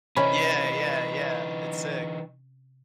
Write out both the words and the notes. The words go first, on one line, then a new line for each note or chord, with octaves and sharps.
Yeah, yeah, yeah, it's sick.
C3 E3 C#4 D#4 B5